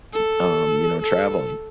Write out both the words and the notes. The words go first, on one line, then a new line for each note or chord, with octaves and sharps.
y um, you know, traveling.
A4
A4